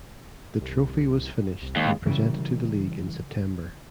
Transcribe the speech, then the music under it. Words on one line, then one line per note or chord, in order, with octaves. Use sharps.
The trophy was finished and presented to the league in September.
C2
C2
D#2 G#3
C#3 E3 G3 A#4 D7